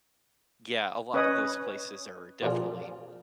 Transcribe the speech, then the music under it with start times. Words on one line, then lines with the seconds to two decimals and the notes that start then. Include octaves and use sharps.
yeah, a lot of those places are definitely,
1.14 C#4 B4 C#5 D#5 D#6
2.42 A1 F2 A#3 D4 F4 G#4